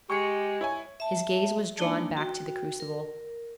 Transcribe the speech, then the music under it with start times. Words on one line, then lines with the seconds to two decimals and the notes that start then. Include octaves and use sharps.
His gaze was drawn back to the crucible.
0.10 G#3 G4 C#6 C#7
0.61 E4 C#5 G#5
1.00 E5 A5
1.78 G#3 A#3 D4 D#4 D5 A5
2.17 F#4 G5
2.80 A#4